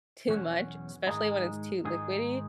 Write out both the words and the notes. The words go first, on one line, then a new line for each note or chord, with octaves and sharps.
too much, especially when it's too liquidy.
E2 B2 F#3 C#4 F#4
G#2 D#3 G#3 D#4 G#4
G#2 D#3 G#3 D#4 G#4